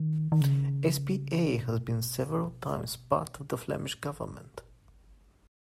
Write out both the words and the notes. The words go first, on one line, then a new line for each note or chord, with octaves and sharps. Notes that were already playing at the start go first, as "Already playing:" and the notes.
Sp.a has been several times part of the Flemish Government.
Already playing: D#3
D#3
C#3
B2
A#2